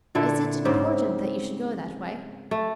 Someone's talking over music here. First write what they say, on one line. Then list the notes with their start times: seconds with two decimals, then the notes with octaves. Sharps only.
"Is it important that you should go that way?"
0.15 A#2 D3 E4 A4
0.65 G#2 C#3 C4 G4
2.51 A3